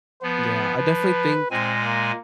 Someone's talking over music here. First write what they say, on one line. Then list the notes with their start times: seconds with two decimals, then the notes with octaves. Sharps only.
Yeah, I definitely think
0.23 F3 B3 B4
0.76 F3
1.51 A#2 G#3 C4 G#5
1.83 A#3